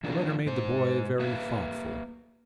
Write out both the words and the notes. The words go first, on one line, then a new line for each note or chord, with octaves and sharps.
The letter made the boy very thoughtful.
E3 D4 F4 A#4
G#2 C5
A#3 B4 E5 F5